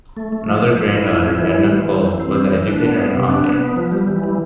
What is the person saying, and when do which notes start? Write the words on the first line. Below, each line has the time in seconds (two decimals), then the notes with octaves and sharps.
Another grand daughter, Edna Coll, was an educator and author.
0.17 A3
0.32 A3
0.48 F3
0.63 F3
0.79 A2
0.95 E4
1.11 F3
1.26 E4
1.42 E3
1.58 G3
1.73 E3
1.89 G3
2.04 E3
2.20 C4
2.35 G3
2.51 E3
2.67 D4
2.83 B3
2.99 B3
3.14 C3
3.29 D4
3.45 B3
3.61 B3
3.77 F3
3.92 G3
4.08 E3
4.24 G3